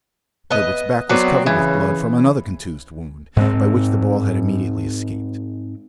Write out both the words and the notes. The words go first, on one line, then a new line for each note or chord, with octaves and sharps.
Herberts back was covered with blood from another contused wound, by which the ball had immediately escaped.
B3 D#5
F#3 B3 C4 D5
C#3 E3
G#2 G#3 C4